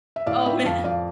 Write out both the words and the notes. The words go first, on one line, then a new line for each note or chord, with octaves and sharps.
Oh, man.
E5
A2 D5 F5
C4 E5 G5
F2 F5 A5
F2 D5 F5